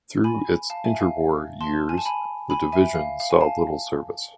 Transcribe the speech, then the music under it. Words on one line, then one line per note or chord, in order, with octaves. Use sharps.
Through its interwar years, the division saw little service.
G#5 B5
F5 A5
E5 G#5
F5
A5 C6
G#5
A5
G#5 B5
G#5 B5
E5 G#5
F5
F5
G#5
F5 A5